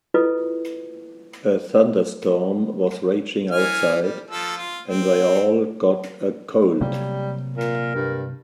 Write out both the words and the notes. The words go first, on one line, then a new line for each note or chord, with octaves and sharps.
A thunderstorm was raging outside and they all got a cold.
E4 F4 A4 B4 D#5
E3 G#5 F6
G3
F3 A4 E6
F4
C4
C3 F#3 G3 A#3
A#2 A#4
G2